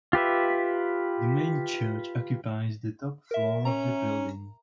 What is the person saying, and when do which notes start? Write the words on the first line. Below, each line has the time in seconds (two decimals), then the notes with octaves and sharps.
The main church occupies the top floor of the building.
0.13 F4 G4 B4 E5
3.31 A#4 E5
3.65 C#4 A#5